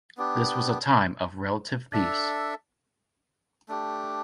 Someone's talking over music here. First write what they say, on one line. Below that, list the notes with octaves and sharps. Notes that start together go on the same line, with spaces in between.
This was a time of relative peace.
B3 D4 G4
D4 A4 E5
A3 D4 G4